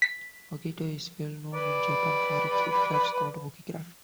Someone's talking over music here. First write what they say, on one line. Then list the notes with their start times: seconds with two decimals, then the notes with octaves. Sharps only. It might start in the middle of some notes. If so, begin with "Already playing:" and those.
Oketo is well known in Japan for its wood crafts, called Oke-Craft.
0.02 B6
1.53 B4 D5 B5